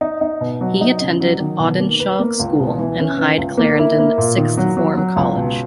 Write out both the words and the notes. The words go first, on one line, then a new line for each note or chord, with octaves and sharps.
He attended Audenshaw School and Hyde Clarendon Sixth Form College.
D#4
D#4
B2
F#3
D#4
C#3
F#3
D#3
B2
A#3
B4
A#3
C#2
B2
E3
C#4
E3
C#2
A#3
E4
A#3
A#2
D#3
F#3
F#3
F#3
C#2
B2